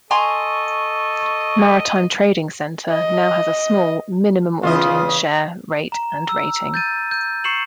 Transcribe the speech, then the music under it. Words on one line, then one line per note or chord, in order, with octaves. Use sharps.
Maritime Trading Center now has a small, minimal audience share, rate, and rating.
A4 D#5 G#5 A#5 C6 C#6
D#5
E2 C#3 F4 D#5
A#5
E6
G6 A6 D#7
G6
C#6 C7 C#7 E7 F#7